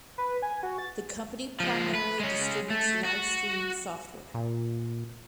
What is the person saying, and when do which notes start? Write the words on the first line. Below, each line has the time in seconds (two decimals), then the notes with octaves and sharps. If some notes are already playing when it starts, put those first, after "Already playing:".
The company primarily distributes livestreaming software.
0.18 B4
0.42 G#5
0.63 F#4
0.78 A6
1.60 F3 G#3
1.95 B4
2.20 G#3 C#4
2.70 A3
3.05 F#4
4.34 A#2